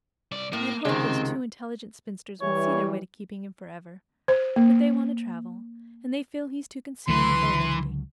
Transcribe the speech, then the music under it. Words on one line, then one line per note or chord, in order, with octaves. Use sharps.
I had hoped those two intelligent spinsters would see their way to keeping him forever, but they want to travel, and they feel he's too consuming of their liberty.
C2 D5
A2 A#3
C#2 C3 D#3 G#3 C4
E3 G3 C#5
C5
A#3
C#2 D3 E3 F#3 B4 C6